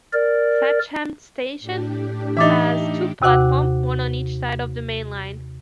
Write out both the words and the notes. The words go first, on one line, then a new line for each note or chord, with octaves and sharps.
Thatcham station has two platforms, one on each side of the main line.
A#4 D5
A2 D4 G4
E3 D#4 E5 D6 A6
D#2 C3 F#4 F#5 D6